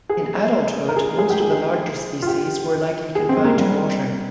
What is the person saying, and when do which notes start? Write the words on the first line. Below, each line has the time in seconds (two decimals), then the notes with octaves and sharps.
In adulthood, most of the larger species were likely confined to water.
0.09 G#4
0.88 A#4
0.96 G#4
1.18 G#4
1.30 G4
1.40 G#4
2.22 F4
2.27 G4
3.15 G#4
3.29 C4
3.37 G#3
3.44 A#3
3.58 G3